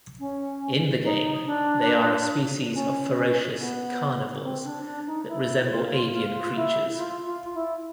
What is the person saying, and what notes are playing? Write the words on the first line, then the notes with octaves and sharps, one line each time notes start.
In the game, they are a species of ferocious carnivores that resemble avian creatures.
C#4
D#4
D4
C#4
B3
C4
D4
D4
D#4
E4
F4
F4
E4
F4
F4
E4